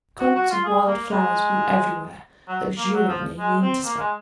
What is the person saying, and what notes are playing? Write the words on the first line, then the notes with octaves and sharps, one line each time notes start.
Clumps of wild flowers grew everywhere, luxuriantly, in the interspaces.
F#4
F#4
F4
G#4
A#3
G#3
F#3
A#3
F#3
F3
G#3
C4
A#3
G#3